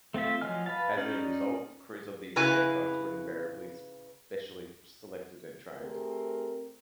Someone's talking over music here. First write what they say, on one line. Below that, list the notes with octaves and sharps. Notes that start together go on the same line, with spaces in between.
As a result, the crews of these aircraft were invariably specially selected and trained.
A3 C4 F4 E5
F3 F#3 D#5 G#5 F6
B4 F5 A5
C#4 D#4 D5 F6 G6
C#3 E4 F#4 B4 G#5
A3 C4 G4 G#4 A#4